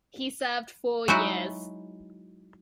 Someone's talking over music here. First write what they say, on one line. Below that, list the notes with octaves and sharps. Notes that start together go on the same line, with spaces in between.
He served four years.
F#3 G#3 D#4 E4 F#4